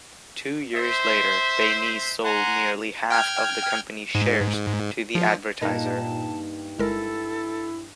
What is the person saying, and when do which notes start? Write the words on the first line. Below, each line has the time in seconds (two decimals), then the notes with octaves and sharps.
Two years later, Baynes sold nearly half of the company's shares to The Advertiser.
0.75 C5 E5
2.24 F#5 G#5 A#5 C6
3.10 G5 F6 G#6
4.15 G#2
5.15 F3
5.61 G2 A#2 A#3 D#4 A5
6.79 G1 G#3 E4 A4 A#4